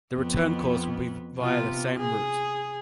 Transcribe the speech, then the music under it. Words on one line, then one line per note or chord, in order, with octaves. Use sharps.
The return course will be via the same route.
F2 B3
C3 B3 F4
G#4